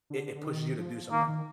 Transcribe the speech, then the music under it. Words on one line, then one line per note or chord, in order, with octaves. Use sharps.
it it pushes you to do something.
D3
D3
D#3
F3
D#3 A#3
D#3